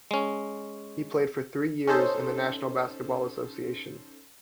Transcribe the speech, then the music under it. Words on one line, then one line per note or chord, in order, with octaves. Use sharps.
He played for three years in the National Basketball Association.
G#3 C#4
C#4 D#4 A4 C5